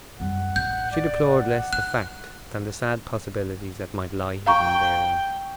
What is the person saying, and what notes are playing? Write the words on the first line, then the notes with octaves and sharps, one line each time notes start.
She deplored less the fact than the sad possibilities that might lie hidden therein.
F#2 G3 F#5
A1 G6
D5
F#5
D#4 F#6
F5 G5 A#5 C#6